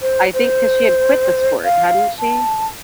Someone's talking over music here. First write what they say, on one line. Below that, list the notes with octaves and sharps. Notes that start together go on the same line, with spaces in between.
I think 'cause she had quit the sport, hadn't she?
C5
C5
F5
A5